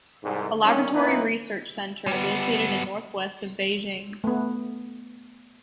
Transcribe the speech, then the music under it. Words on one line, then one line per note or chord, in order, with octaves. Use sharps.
A Laboratory Research centre located in northwest of Beijing.
C2 G#2
D#3 G3 C#4
A#3 B3 C#4 D#4 E4 B4
G3 B3
A3 B3